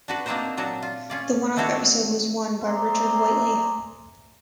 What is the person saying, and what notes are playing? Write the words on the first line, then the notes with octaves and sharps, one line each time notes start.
The one-off episode was won by Richard Whiteley.
D4 F#4 B4
A#3 C4 D4 D#4 A#4 C5
A#2 F#3 D4 F#4
F4
C#4 F4 D5
D#3 A3 C4 D4 F#4 C#5
G#4 C5 D5 E5 A#5 C6